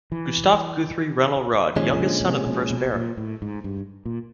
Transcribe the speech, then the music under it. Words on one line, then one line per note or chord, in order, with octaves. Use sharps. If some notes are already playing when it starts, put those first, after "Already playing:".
Gustaf Guthrie Rennell Rodd, youngest son of the first Baron.
E3
A#2 D#3 F3 G#3 C#4
D3
C3
B2
B2
A#2
A2
G#2
G2
A#2